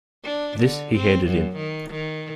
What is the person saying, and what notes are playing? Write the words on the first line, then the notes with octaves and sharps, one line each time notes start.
This he handed in.
D4
D3
C4
F#2
D#3
D#3